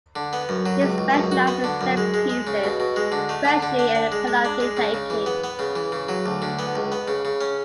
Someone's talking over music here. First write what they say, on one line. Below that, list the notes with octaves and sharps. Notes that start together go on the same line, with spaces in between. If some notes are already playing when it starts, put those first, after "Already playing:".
He specialized in set-pieces, especially at penalty-taking.
D3
B3
F#2
F#3
C#2
C#2
F#2
F#4
B3
D3
F#2
G#3
G#3
G#3
C#3
B2
B2
G#3
D3
A3
D3
D3
D4
D4
G#3
G#3
D4
G#3
C#3
C#3
E3
B3
B3
C#3
E3
C#3
F#3
D2
D3
B3
C#2
B3
C#3
C#3
C#4